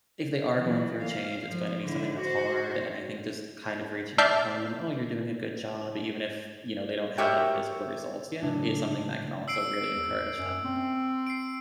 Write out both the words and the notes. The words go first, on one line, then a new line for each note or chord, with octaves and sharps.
if they are going through a change, it's gonna be something that's hard, and I think just kind of reaching out, telling them, "Oh, you're doing a good job" even if, you know, they don't have any physical results yet is something that can also really encourage them
E3 F#3
F5
F3
D3 E4
F#4 C5
D5 E5 A5 F6 G6 C7
F#4 G4 A#4 C#5 E5 G5
A2 C#3 F#3 D4
E6 C7 D7
E2
F#2
C4
C7 D7